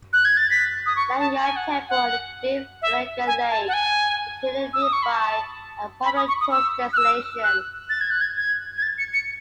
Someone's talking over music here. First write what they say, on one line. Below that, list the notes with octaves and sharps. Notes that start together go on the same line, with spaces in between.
Langya temple and the Deep Elegant Lake, located nearby, are popular tourist destinations.
F#6
G#6
A6
B6
D#6
C#6
A5
G#5
F#5
G#5
F#5
E5
G#5
A5
F#5
G#5
E6
D#6
C#6
B5
A5
B5
D#6
C#6
D#6
E6
F#6
E6
F#6
A6
G#6
F#6
G#6
G#6
G#6
A6
C#7
C#7